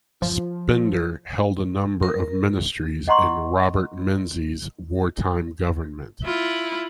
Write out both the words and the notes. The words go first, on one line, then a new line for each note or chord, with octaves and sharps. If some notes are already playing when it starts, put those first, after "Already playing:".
Spender held a number of ministries in Robert Menzies' wartime government.
F3
A#4
D#5 F#5 A#5 C6 C#6
E4 F4